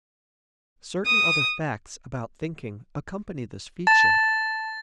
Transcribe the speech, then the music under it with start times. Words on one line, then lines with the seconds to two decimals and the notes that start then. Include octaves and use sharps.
Certain other facts about thinking accompany this feature.
1.06 D#6
3.87 A5 A6